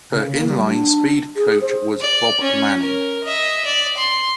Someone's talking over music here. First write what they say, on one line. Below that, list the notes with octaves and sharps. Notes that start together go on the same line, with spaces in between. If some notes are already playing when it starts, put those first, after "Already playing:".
Her inline speed coach was Bob Manning.
C#3
A#3
G3
D4
G#4
C5
D5
C#4
A#4
D#5 E5
D5
C6